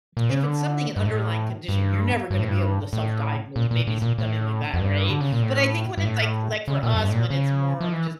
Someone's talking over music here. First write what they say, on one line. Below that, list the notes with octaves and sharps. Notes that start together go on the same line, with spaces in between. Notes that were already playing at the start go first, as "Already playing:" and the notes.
if it's something an underlying condition, you're never gonna be able to self-diagnose, maybe something like that, right? But I think when it's like like for us, when it's more of just
A#2
C#3
D3
G2
A2
G2
G2
A2
G2
A2
A#2
A#2
A2
A#2
A2
F2
G2
D3
C#3
A#2
A2
G2
A2
C#3
A#2
F2
G2
A2
A#2
C#3
F3
E3